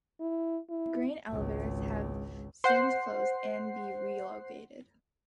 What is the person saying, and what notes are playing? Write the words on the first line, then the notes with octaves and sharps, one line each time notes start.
The grain elevators have since closed and been relocated.
E4
E4
G#1 C#2
C5 F#5 C7